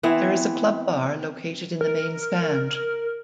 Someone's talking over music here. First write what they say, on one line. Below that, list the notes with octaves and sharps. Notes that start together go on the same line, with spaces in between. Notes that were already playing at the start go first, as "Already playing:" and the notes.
There is a club bar located in the main stand.
E3 B3 C4 E4
A#4